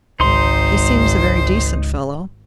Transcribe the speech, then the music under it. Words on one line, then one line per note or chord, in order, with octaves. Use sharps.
"He seems a very decent fellow."
G#1 C#2 D#4 C5 C6